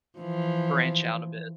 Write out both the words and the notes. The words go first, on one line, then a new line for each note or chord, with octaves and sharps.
branch out a bit.
E3 F3